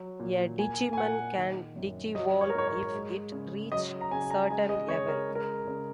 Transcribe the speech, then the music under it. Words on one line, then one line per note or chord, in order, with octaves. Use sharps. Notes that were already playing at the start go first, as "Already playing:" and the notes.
A digimon can digivolve if it reach certain level.
Already playing: F#3
A#2
A#3 G#5
G#5
A#2 F#5
D#3
F#2
F#3 D#5
C#5
A#4
G#2 C#5
C#5
G#3
C#3
F#3 D#5
A#5
C#3 G#5
A#5
G#3 G#5
D#5
C#3 C#5
A#4
G#3
A#4
C#3